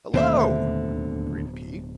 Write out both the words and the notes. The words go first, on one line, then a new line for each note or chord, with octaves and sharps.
"Hello!" greeted he.
D1 D#2 B2 D3 A3 C4 C5 E5